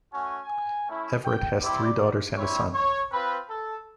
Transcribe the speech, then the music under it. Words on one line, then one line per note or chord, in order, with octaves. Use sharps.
Everitt has three daughters and a son.
A3 C#4 F#4 G#5
A3 C#4 E4
G5
G3 C4 E4 G4 D5
G3 C4 E4 C#5
C#5
C4 F4 B4
A4